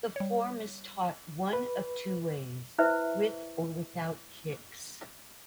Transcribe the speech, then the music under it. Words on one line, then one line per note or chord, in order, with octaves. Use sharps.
The form is taught one of two ways: with or without kicks.
G3 C#5
B4
E4 B4 C5 E5